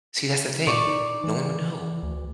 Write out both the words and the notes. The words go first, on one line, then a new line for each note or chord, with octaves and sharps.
See, that's the thing. No one would know.
A#2 D5 C#6
D#4
E3
D2